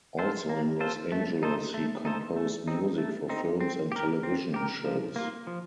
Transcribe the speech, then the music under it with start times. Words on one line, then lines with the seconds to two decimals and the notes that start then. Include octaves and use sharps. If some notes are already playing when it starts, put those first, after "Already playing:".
Also in Los Angeles he composed music for films and television shows.
0.19 F4 A4 C5
0.49 A#3
0.80 F4 A4 C5
1.12 A3
1.43 D#4 A4 C5
1.74 A3
2.05 D#4 A4 C5
2.36 A3
2.68 C4 D#4
2.98 A3
3.29 C4 D#4
3.60 C4
3.92 G4 A#4
4.23 C4
4.54 G4 A#4
4.85 F3
5.16 A#3 F4
5.47 F3